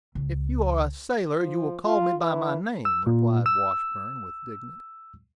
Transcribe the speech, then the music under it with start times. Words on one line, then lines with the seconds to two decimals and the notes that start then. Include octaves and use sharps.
"If you are a sailor, you will call me by my name," replied Washburn, with dignity.
0.15 C#2
1.39 F3
1.85 F4
2.21 E3
2.85 E6
3.07 A#2
3.46 E6